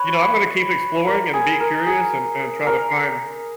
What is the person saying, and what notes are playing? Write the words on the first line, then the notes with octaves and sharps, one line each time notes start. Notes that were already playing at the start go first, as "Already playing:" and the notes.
you know, I'm gonna keep exploring and be curious and and try to find
Already playing: B4 C#5
A#4
G#4
A#4
G#4
A#4